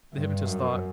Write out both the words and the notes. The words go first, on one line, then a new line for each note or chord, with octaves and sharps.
The hypnotist thought.
G2
F#2